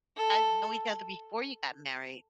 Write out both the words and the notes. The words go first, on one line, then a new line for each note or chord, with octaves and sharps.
guys know each other before you got married?
A4